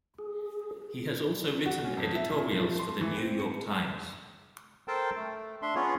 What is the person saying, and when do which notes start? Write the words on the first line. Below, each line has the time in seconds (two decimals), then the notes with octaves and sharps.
He has also written editorials for "The New York Times".
0.18 G#4
1.66 F#4
1.84 C#4
1.97 F2
2.15 E5
2.29 A#2
2.51 F3
2.79 C6
3.01 E3
3.16 C4
3.39 C#7
4.88 A4 A#4 C5 G5 A5
5.16 A3
5.62 D4 E5 C6
5.75 B3 C#4 F4 G#4 C#5